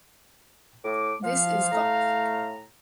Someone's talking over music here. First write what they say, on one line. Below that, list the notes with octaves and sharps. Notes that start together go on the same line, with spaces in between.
This Is Goth!
A2 D6
F3 F5
A2 A3 A#5